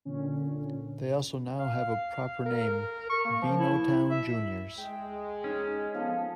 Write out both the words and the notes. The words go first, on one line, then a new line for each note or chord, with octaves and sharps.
They also now have a proper name - 'Beanotown Juniors'.
A#2 D3 C#4
F5
A#4
A#4
C#6
A#3
F3
E4
E5
G#3 G5
C#4 D#4
F3 B3 A4